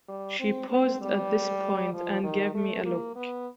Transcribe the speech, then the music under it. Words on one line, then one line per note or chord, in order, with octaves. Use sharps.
She paused at this point and gave me a look.
G3
C4
C4
G3
F3
D#3
A3
A#3
B3